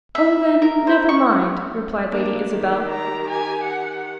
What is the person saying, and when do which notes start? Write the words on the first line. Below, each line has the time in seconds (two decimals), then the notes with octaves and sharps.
"Oh, then, never mind," replied Lady Isabel.
0.15 E5
0.62 A#4
0.87 C5
1.09 C#6
2.11 A#3 D4
2.51 D#3 G4
2.88 A#5
3.30 G#5
3.64 F#5